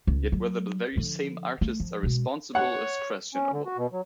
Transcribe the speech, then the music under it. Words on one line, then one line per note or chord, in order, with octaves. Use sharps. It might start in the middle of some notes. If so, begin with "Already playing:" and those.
Yet whether the very same artists are responsible is questionable.
C#2
F#3
D3 F3
A3
F3
B2 G#3
C#5 F#5
C#4
D3
F#4
B2
F#3